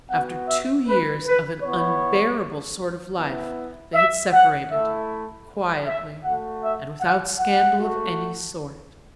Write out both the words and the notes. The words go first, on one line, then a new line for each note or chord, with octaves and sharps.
After two years of an unbearable sort of life they had separated--quietly, and without scandal of any sort.
B3 F#4 F#5
E5
B4
B4
B3 E4 C#5
B3 E4
E5
F#5
A3 E4 E5
E5
A3 F#4 F#5
E5
F#5
F#5
A3 F#4